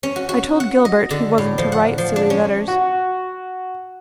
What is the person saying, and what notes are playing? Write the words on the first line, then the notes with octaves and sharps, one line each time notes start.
I told Gilbert he wasn't to write silly letters.
C#4
F#4
F#4
F#5
D#5
D3
A2
F3
F#5
F3
D4
C#4
F#4